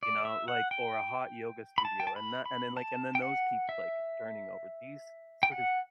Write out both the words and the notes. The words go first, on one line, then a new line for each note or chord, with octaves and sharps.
you know, like or a hot yoga studio. And that and then, like and then those keep, like, turning over. These sort of
D5
E5
F#5
G5
B5
A5
G5
A5
B5
B5
A5
G5
F#5
E5
G5
F#5